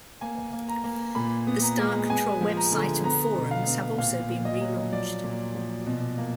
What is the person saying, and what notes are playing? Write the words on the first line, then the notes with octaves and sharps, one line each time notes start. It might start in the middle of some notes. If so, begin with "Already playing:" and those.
The Star Control website and forums have also been relaunched.
A#3 G#5
A#3
A#5
A#3
A#2 B5
B3
A#5
G#3
B3 G#5
F3
A#5
D3
B3 A#5
B2
F5
B3
A#2 F5
A#2
D#5
F#3
F3 D5
A#2
F3
B2
A#3